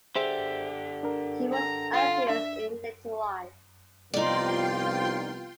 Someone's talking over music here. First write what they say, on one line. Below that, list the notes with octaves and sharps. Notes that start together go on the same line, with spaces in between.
He was an atheist in later life.
D3 G4 G#4 C5 E5
D4 A#4
A#5
F4
D4 E5
C2 F3 B3 D#4 F4 D5 G5 C6